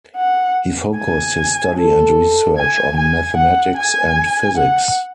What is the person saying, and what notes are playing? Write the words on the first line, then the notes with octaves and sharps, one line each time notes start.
He focused his study and research on mathematics and physics.
F#5
G#5
A4
G#5
G#5
F#5
G#5
F#5